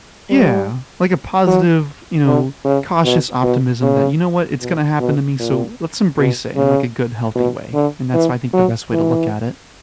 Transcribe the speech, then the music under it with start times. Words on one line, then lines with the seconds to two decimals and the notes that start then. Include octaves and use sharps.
Yeah. Like a positive, you know, cautious optimism that, "You know what? It's gonna happen to me, so let's embrace it in, like, a good healthy way," and that's why I think the best way to look at it.
0.30 G3
1.47 F#3
2.26 D3
2.65 C#3
3.04 B2
3.43 B2
3.82 C#3
4.61 B2
5.00 B2
5.39 A#2
6.18 B2
6.56 C#3
7.35 B2
7.74 D3
8.14 E3
8.53 F#3
8.92 E3